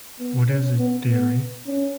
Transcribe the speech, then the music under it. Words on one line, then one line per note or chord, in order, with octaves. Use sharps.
What is it, deary?
B3
C#4
B3
B3
C#4